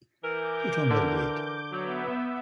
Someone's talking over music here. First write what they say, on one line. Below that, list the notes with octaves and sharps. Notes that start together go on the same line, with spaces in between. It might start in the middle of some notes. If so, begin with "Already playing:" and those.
Put on the lid.
E3 A#4 D6 G6
D3
F#3 B3 E5